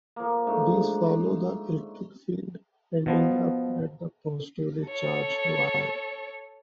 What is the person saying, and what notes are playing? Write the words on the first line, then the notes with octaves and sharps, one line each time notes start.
These follow the electric field ending up at the positively charged wire.
F3 A#3
G#2 A3 D4
B2 F3 B3
A4 C#5